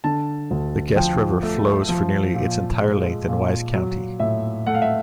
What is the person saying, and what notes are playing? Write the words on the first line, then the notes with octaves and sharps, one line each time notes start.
The Guest River flows for nearly its entire length in Wise County.
D3 A5
D2
F3 G5
A3
F3
A#2
G#3
A#2
F#3
A2 E5
A3 F#5
F5
E5